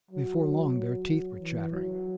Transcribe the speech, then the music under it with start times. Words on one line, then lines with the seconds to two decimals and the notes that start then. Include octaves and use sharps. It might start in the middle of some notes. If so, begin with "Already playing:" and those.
Before long their teeth were chattering.
0.11 F#3
0.76 F#3
1.39 E3
1.72 F#3